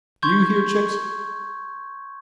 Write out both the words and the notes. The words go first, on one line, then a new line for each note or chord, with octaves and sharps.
Do you hear, chicks?
C6 C#6 G6 G#6